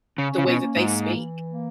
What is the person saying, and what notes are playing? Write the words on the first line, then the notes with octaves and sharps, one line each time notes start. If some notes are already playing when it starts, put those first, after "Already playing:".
the way that they speak.
C#3 C#4
C#3
B2
A#3
G#2
E3
A#3